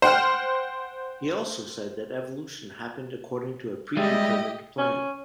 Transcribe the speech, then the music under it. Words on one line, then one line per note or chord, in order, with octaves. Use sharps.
He also said that evolution happens according to a predetermined plan.
C5 F#5 G5 F6
G3 G#3 G4 D#5 E5
C#4